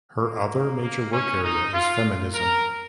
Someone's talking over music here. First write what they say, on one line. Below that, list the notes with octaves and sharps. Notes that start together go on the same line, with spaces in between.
Her other major work area is feminism.
A#3
A#3
C#4
D#4
F4
A#4